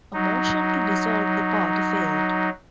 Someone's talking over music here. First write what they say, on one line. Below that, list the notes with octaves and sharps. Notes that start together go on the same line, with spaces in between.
A motion to dissolve the party failed.
F#3 D#4